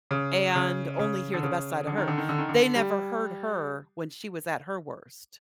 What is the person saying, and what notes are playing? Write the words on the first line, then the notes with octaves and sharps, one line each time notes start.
and only hear the best side of her. They never heard her when she was at her worst.
C#3
C#3
C#3
D3
C#3
D3
D#3
D3
D#3
D3
D#3
D3
G3